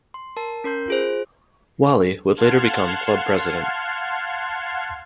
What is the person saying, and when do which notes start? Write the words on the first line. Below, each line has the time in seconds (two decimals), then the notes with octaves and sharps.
Whalley would later become club President.
0.14 C6
0.37 A#4 A5
0.64 C#4 A#4 C6 G6
0.88 F4 G#4 C5
2.37 F5 F#5 A5 C6 F6 G#6